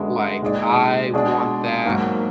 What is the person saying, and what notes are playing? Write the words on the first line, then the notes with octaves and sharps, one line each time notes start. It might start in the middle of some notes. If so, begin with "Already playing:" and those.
like, "I want that
Already playing: F#2 D3 G#3 B3
A#2 G#3 D#4 G#4 D5
B2 G#3 D4 G#4 D5
G#2 F#3 A#3